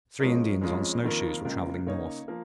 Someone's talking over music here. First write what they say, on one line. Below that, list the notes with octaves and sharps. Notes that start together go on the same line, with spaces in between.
Three Indians on snow-shoes were traveling north.
F3 G#3 C#4 A#4
F2 F3 G#3 C#4 F4
F2 D#3 A#3 F4 A#4
C#2 C#3 A#3 F4 A#4
C#3 A#3 D#4 C#5
F3 A#3